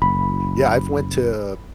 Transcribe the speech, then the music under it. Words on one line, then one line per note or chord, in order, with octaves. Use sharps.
Yeah, I've went to
F#1 B5